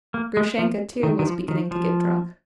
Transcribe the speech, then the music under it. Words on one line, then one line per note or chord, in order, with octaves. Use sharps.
Grushenka, too, was beginning to get drunk.
A#3
G#3
F3
D#3
D#3
F3
D#3
F3